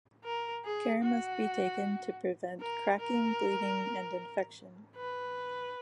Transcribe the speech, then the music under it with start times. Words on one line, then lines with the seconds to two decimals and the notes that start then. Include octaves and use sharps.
Care must be taken to prevent cracking, bleeding, and infection.
0.24 A#4
0.64 G#4
1.03 F#4
2.60 A#4
2.99 A#4
4.96 B4